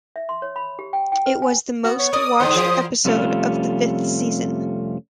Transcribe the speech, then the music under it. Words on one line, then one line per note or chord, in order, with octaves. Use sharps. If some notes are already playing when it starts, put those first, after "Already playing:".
It was the most watched episode of the fifth season.
E5
C6
C#5
B5
G4
G5
G5
B4
G#5
B3 F#4
C#5
A#4 D5 D#6
G2 D3 E3 C5
E3 G#4 A#4
F2 C3 G3 A3 C#4 F4